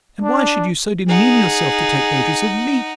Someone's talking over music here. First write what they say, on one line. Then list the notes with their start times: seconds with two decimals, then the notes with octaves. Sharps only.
And why should you so demean yourself to take notice of me?
0.22 D4
1.09 D#4 G#4 F#5